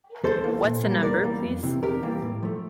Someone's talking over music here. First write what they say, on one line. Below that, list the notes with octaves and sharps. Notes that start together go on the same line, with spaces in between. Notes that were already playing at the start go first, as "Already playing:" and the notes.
What's the number, please?
E2 A4 C5
E3 A#3
A#2
G3 A#3
E2 A#4 D5
E3 G3 A#3
F2
C3 E3
E2 G4 A#4
E3 G3 A#3
A2
F3 A3